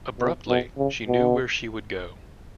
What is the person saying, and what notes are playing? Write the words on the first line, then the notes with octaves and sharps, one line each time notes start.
Abruptly she knew where she would go.
B2
B2
C#3
B2